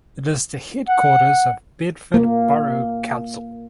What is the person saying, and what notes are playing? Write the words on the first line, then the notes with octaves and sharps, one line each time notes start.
It is the headquarters of Bedford Borough Council.
F#5
A#3